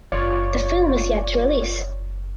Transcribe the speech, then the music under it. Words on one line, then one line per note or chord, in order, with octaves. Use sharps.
The film is yet to release.
F#1 F4 C#5 D5